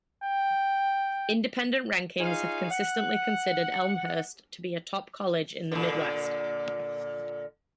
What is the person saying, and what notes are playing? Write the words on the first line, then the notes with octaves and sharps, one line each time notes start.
Independent rankings have consistently considered Elmhurst to be a top college in the Midwest.
G5
D#4 F4 G#4 C#5 F5
F#5
A#2 D3